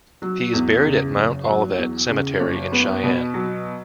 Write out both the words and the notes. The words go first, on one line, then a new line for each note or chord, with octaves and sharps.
He is buried at Mount Olivet Cemetery in Cheyenne.
F#3
E2
C#3
F#1
F#3
E2
C#3
F#1
B3
B2
F#3